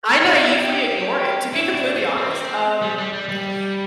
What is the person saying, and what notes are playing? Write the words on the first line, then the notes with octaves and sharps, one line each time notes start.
I naively ignore it, to be completely honest, um, eh, eh,
G3
E4
G4
G4
G4
E4
D4
C4
C4
G3
G3
G3
G3